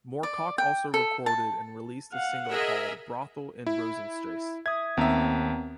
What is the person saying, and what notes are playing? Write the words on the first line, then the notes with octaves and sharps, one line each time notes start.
Moorcock also recorded and released a single called "Brothel in Rosenstrasse".
D5
G5
A4
A5
F5 F#5
G#4 A#4 D#5 E5
E4
E5 D#6 G#6
D#2 B3 C4 E5 A#5